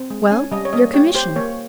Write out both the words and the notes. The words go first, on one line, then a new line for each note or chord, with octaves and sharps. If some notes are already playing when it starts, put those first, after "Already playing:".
"Well,--your commission?"
Already playing: C4
G#3
C#4 G#5
G3 D#5
C#5
A#3 D#5
G4 C#5
G4 C5
A#3 C#5